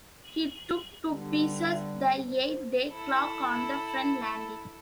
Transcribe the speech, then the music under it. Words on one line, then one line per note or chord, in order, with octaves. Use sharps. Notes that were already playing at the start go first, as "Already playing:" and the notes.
He took to pieces the eight-day clock on the front landing.
D3 G3 B3
C5
E4 A4